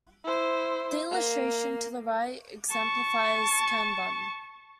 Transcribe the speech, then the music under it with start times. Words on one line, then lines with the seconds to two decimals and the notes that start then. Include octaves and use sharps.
The illustration to the right exemplifies "kanbun".
0.24 E4 C5
1.11 A#3
2.71 A5 C#6